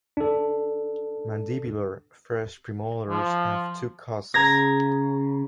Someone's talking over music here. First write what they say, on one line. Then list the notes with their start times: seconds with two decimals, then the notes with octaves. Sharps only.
Mandibular first premolars have two cusps.
0.17 D4 A4
3.10 F3
4.34 C#3 A#5 G#6 A#6